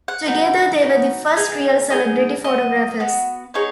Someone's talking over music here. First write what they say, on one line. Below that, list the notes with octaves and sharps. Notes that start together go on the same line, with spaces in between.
Together, they were the first real celebrity photographers.
F#5
B3 D#4 F#4
B3 D#4 F#4
B3 D#4 G#4
B3 D#4 G#4 D#5
B3 F#4 D#5
B3 F#4
B3 D#4 G#4 C#5